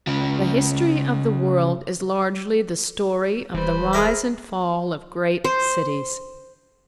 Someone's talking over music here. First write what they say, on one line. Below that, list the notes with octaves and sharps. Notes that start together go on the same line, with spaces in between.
The history of the world is largely the story of the rise and fall of great cities.
C#3 F4
D#1 E3 G3 B4 C5
G#4 A#4 E5
C5